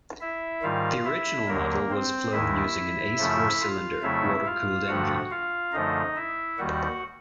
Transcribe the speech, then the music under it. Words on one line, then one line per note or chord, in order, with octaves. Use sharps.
The original model was flown using an Ace four cylinder water-cooled engine.
E4 E5
G#2 D#3 G3 F4 F5
E4 E5
D#2 D3 F#3 A#3 A#4
C4 C5
D#2 D#3 G#3 E4 E5
F#2 C#3 F3 A3
F4 F5
F2 C#3 F#3 A3 E4 E5
F4 F5
G2 D3 F3 A3 F#4 F#5
F4 F5
F#2 D3 F3 A3 D#4 D#5
E4 E5
D#2 D#3 G3 F#4 F#5